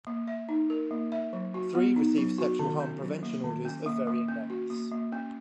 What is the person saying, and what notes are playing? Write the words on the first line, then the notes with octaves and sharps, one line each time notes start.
Three received sexual harm prevention orders of varying lengths.
A#3
E5
D#4
A#4
A#3
E5
F#3
F#4
B3
D#4
F#3
F#4
D#3
C#4
F#3
A#3
D#3
C#4
A#3
A#3
C#4
F#4
A#3
A#3
C#4